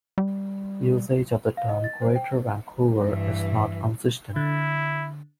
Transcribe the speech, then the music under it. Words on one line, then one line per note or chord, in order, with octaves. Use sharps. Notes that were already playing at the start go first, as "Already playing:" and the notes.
Usage of the term "Greater Vancouver" is not consistent.
G3
F5
D#5
A6
C5
G5
G2 E3
D3 E4